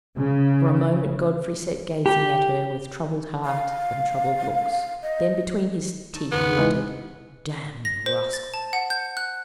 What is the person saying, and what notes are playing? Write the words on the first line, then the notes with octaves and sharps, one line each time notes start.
For a moment Godfrey sat gazing at her, with troubled heart and troubled looks, then between his teeth muttered, "Damn the rascal!"
C#3
G4
F5
D#5
A3 D#4 E7
G#1 E2 C#3 B3
E3 G#3
A#6
C5
A6
A5
F#5
G6
F#6